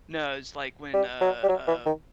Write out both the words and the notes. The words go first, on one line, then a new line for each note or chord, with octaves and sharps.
No, it's, like, when, uh, uh
G3
F#3
G3
F#3
E3
D#3